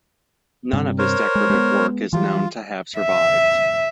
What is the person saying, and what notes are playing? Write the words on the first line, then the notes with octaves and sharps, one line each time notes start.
None of his decorative work is known to have survived.
G2 C3
A#4 C5 C#5
G#3
G#3 B3
E3 F#3 G3 F4
E5